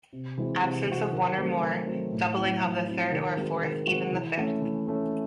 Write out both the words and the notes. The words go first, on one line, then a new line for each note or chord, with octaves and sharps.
Absence of one or more; doubling of the third or fourth even the fifth.
C3
E3 G#3 C4 F#4
C3
E3 G#3 C4 F#4
D#3
F#3 A3 C4
D#3
F#3 A3 C4
A2
F#3 C4 E4
A2
F#3 C4 E4
D#3
G#3 C4 F#4
D#3
G#3 C4 F#4
E3
A3 C#4
E3
A3 C#4